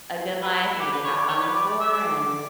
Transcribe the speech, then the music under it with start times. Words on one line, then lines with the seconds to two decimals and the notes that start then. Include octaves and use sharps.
a good life, and I did have fun before. And
0.42 B4
0.66 E4
0.80 G4
0.92 B4
1.04 C#5
1.17 D5
1.29 C#5
1.42 B4
1.55 D5
1.67 D5
1.81 E5
1.93 D5